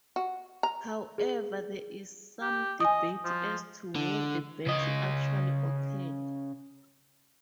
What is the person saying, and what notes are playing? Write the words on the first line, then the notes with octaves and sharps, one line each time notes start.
However, there is some debate as to where the battle actually occurred.
F#4
A#5
G#4
G4
D#5 G#5 D#6
F3
D3
C#3 D#5